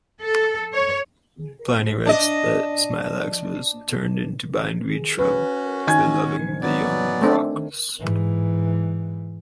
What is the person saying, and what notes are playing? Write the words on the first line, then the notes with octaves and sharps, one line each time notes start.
Pliny writes that Smilax was turned into bindweed shrub for loving the young Crocus.
A4
C#5
D4 D#5
C#4 F#4 B4
D#3 G#5 G#6
F#3 B3 D5
A3 C4 D4
G#2 E3